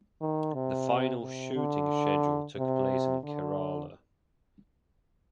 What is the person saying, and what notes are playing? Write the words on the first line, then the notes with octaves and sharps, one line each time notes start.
The final shooting schedule took place in Kerala.
D#3
C3
C3
D3
C3
D3